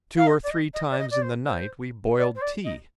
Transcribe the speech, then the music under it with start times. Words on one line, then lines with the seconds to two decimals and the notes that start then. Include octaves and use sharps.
Two or three times in the night we boiled tea.
0.17 F5
0.27 D#5
0.43 D5
0.50 D#5
0.74 D#5
0.91 D5
0.98 D#5
1.11 D5
1.22 C5
1.46 C5
2.18 D5
2.35 C5
2.41 D5
2.64 D#5